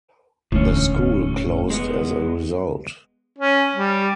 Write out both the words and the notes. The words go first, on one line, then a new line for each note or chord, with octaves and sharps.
The school closed as a result.
E1 D2 A2 C#4
G#3 B3
C#4
G3